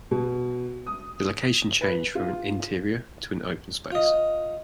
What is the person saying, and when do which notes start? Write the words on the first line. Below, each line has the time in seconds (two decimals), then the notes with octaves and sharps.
The location changed from an interior to an open space.
0.11 B2
0.87 D#6
1.81 B4
2.15 F4
3.92 F4 D#5